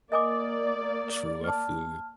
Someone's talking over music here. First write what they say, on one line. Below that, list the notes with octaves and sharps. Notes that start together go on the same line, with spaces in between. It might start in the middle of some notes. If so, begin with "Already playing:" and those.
True. I feel it
A#3 A#4 D5 D#5 G#5 D6 D#6
A5 F6